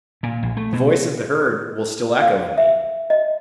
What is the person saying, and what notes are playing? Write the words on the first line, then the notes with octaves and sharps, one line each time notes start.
The voice of the herd will still echo in thee.
A#2
A#1
A3
B2
F5
E5
D#5